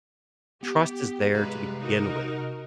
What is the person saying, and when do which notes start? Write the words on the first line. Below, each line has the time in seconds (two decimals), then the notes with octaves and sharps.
trust is there to begin with,
0.63 B3 G4
1.34 C3 G3 G#3 B4 F5 A#5
1.80 D#4 F#4 A#4